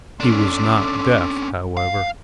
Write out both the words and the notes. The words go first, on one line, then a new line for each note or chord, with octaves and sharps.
He was not deaf however.
C#4 D4 A4 C6 D6
F5